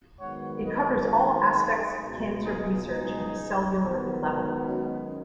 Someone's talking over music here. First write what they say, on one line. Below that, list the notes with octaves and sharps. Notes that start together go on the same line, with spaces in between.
It covers all aspects of cancer research at the cellular-level.
G#2 D#3 F#3 B3 C#5 F#5
B4 D#5
F#4 B4
D#4 G#4
C#2 B2 G#3
D#4 G#4
D#4 G#4
G#2 D#3 F#3 B3
C#4 F#4